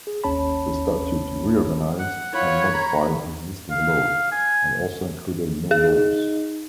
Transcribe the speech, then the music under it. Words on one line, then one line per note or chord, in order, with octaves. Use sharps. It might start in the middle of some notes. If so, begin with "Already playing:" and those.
The statute re-organized and modified existing law, and also included new laws.
G#4
G#1 D#2 C#4 C#5 A5 B5
F#5
F4 C#5 F#5 B5
A#5 B5
F5
G#5
D#4 G#4